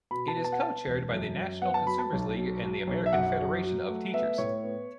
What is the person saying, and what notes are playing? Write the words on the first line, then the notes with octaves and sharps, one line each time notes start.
It is co-chaired by the National Consumers League and the American Federation of Teachers.
B2 B5
A5
B3
A5
F#5
B3 A5
E1
F#2
F#2
B3 F#5
A5
F#3 B5
A5
B1
F#3
F#3
B1
E5
F#2 F#5
F#3
F#3
A3
B3 E5
A2 C#5
B3